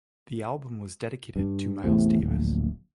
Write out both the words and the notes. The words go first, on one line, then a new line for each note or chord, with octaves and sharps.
The album was dedicated to Miles Davis.
G2
A1 E2 A2 C3
D1 A#1